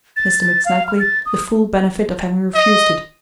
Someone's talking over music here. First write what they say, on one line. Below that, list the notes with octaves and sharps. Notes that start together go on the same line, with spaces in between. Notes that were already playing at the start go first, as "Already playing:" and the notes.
Mr. McSnagley the full benefit of having refused it.
A6
A6
F5
F6
A6
D#6
D#5